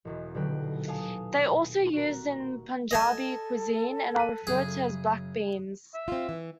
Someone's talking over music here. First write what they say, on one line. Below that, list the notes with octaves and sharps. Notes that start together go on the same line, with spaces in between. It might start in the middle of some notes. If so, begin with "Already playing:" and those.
They are also used in Punjabi cuisine and are referred to as black beans.
E1 E2 B2
D#1 D3 F#3 B4 G5
F5 G#5 A5 D#6
F#4 A#4
A4 D#5 G#5 A5
F#6 B6 D#7
F#2 C#3 G#4
E5
C4 F4
E3